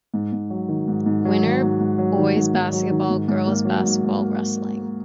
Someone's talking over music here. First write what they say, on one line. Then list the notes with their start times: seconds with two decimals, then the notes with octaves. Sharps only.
Winter: Boys' Basketball, Girls' Basketball, Wrestling.
0.14 G#2
0.32 G#2
0.50 F#3
0.69 D#3
0.88 G#2
1.06 G#2
1.25 F#3
1.43 D#3
1.62 G#2
1.80 G#2
1.98 F#3
2.18 D#3
2.36 G#2
2.54 G#2
2.72 F#3
2.91 D#3
3.10 G#2
3.28 G#2
3.47 A#3
3.65 F#3
3.84 G#2
4.03 G#2
4.21 A#3